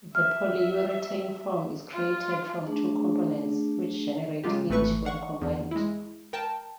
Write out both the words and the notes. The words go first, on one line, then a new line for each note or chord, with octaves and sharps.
The polyurethane foam is created from two components which generate heat when combined.
E5 F6
F4
A3 D4 G#4
C#3 F#3 G#3 F4 G4
G#1 E3 A3 B4 C#6
F5 F#5 C#6
E2
G#3 E4
A#4 G5 A5